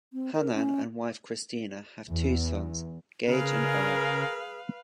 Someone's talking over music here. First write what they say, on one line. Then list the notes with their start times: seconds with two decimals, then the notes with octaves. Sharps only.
Hannan and wife Kristina have two sons - Gage and Owen.
0.13 C4
0.35 A#4
0.54 C#4
2.08 E2
3.28 C#3 G#4 A#4 B4 F5